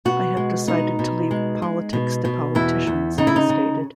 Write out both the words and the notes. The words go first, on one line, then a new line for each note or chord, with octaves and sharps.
"I have decided to leave politics to politicians," he stated.
B2 F#4
G#3
B2 D#4
B2
G#3
G#3
B2
B2
E2 E4
E2
C#3 D#4
E4
D#4
C#3